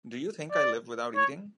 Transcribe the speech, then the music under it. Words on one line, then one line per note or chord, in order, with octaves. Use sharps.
Do you think I live without eating?
D5
C#5